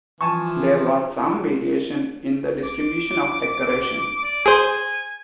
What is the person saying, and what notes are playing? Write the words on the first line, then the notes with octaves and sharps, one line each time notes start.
There was some variation in the distribution of decoration.
E3 F3 G#5 A5 C#6
D6
D5
G#4 C5 G#5